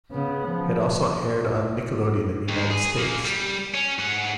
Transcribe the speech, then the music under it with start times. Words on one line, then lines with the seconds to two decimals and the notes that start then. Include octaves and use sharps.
It also aired on Nickelodeon in the United States.
0.12 C#3 B3
0.48 F3
2.49 D#2
2.70 G#4
2.98 C#3 A#3
3.25 G3
3.74 C#4
3.98 G#2 F#5